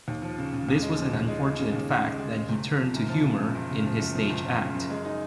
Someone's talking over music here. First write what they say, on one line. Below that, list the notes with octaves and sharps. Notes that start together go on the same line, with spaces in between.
This was an unfortunate fact that he turned to humour in his stage act.
D#2
F3
C#3
C#3
D#2
G#3
F3
D#2
G#3
G#3
C#3
D#2
C#3
G#3
G#3
G#3
F#1
F#1
F3
F#2
F3
C#3
F3
F#1
C#3
F3
F#2
F3
F#1
F3
C#3
F#2
G#3
D#4